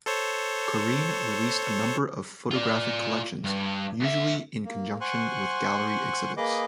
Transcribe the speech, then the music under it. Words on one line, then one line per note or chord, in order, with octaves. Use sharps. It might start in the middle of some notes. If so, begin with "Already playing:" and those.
Korine released a number of photographic collections, usually in conjunction with gallery exhibits.
A4 C5 C#5
F4 D5
G2
D2 E5
A#3
C5 F#5 G#5 C6 C#6 F#6
A#3 G#4 B4 D#5 D6